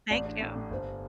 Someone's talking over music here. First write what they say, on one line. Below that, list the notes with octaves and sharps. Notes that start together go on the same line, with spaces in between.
Thank you.
A1 D5
D4
A2
A2
G1 C5